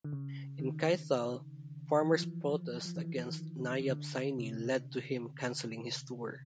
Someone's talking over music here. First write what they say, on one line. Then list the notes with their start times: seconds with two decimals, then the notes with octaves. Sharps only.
In Kaithal, farmers' protest against Nayab Saini led to him canceling his tour.
0.04 D3
0.13 C#3
0.60 D#3
2.02 E3
2.12 F3
2.23 E3
2.49 F3
2.85 F3
2.96 E3
3.28 D#3
3.59 D3
3.80 C#3
3.91 D3
4.39 C3